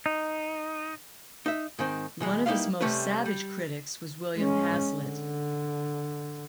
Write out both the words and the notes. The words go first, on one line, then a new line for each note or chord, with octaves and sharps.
One of his most savage critics was William Hazlitt.
D#4
D#4 E5
G#2 D#3 C4
B2 E3 G#3
G3 A#3 D#4 E4 B4 F5
C3 G3 A3 C#4 B4
G3
G#3 C#4
D3